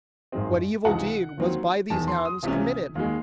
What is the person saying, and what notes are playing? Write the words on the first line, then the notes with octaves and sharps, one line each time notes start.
What evil deed Was by these hands committed?
G#1 F#2 D#3 G#3 C4 D#5
C#2 C3 E3 G#3 D#4 F#5
D#2 D#3 F#3 C4
E1 E2 D#3 A5
C6
D#6
C#2 C3 E3 A3 C#4
D#2 D#3 G#3